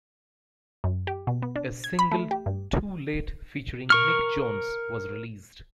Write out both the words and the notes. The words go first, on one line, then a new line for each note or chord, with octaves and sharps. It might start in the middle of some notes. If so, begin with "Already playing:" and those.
A single "Too Late" featuring Mick Jones was released.
F#2
G4
B2
B3
D4
G#6
B5
A3
G4
G2
A#4 C#6 F6